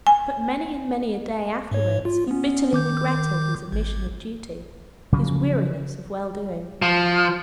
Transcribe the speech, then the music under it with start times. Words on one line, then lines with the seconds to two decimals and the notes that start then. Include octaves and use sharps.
But many and many a day afterwards he bitterly regretted his omission of duty; his weariness of well-doing.
0.07 G#5
1.71 G#2 C#5
2.05 F4
2.28 B3 C#4
2.73 D#3 D6 G6
3.72 G#1
5.12 C#3 F3 F#3
6.82 F3